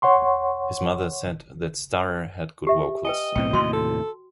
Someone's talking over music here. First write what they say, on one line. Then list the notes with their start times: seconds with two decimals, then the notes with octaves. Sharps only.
His mother said that Starr had good vocals.
0.02 C#5 F#5 C6 C#6
2.67 G4 E5
3.05 B4 D#5 G5 G#5
3.35 B1 A2 C4 G5
3.53 D#2 A2 C3 F#4 C6
3.73 A4